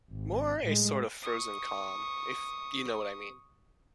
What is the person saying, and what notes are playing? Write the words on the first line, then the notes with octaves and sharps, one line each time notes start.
More a sort of frozen calm, if you know what I mean.
G#1
A2 G#3
C#6 D#6